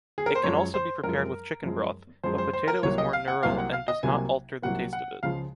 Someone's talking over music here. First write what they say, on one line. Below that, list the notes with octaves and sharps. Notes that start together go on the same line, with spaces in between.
It can also be prepared with chicken broth, but potato is more neural and does not alter the taste of it.
G#4
A#4
C5
F#2 F3 G#3 C#5
C5
F#2 F3 G#3 A#4
F#2 F3 G#3
F#2 F3 G#3 C5
C5
C5
A#4
C2 C3 F#3 A#3 C#5
D#5
F5
F#5
C2 C3 F#3 A#3 F5
F#5
F5
D#5
C2 C3 F#3 A#3 G#5
C2 C3 F#3 A#3 F#5
F#5
C#2 C#3 F3 G#3 F5